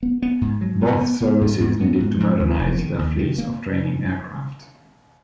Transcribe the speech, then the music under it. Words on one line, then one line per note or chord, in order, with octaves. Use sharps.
Both services needed to modernize their fleets of training aircraft.
B3
B3
G#2
F#3
B3
B3
B3
G#2
G#2
B3
G#2
G#2
D#2
F1
D#3
D#2
D#3
A#3